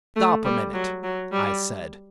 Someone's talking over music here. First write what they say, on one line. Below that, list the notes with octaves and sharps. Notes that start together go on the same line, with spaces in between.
"Stop a minute," I said.
A3
G3
F#3
F#3
G3